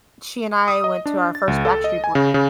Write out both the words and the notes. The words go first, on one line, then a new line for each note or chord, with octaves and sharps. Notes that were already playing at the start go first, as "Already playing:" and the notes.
she and I went to our first Backstreet Boy
D#6
D#5
D4
A6
C#2
A4
D#5
G#5
C#3
C#3